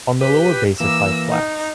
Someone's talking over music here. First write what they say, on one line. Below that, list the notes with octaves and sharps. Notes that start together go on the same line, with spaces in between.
On the lower base are five plaques.
G4 B4
E3 A#3 E6
D#4